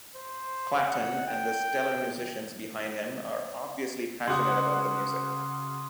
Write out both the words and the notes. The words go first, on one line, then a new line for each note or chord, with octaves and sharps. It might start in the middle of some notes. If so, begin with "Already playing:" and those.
Clapton and the stellar musicians behind him are obviously passionate about the music.
C5
F#5
G5
C#3 F#4 F#5 C6 D6 D#6